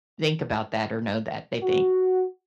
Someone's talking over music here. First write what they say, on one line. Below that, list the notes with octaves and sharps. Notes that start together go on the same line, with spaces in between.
think about that or know that. They think,
F#4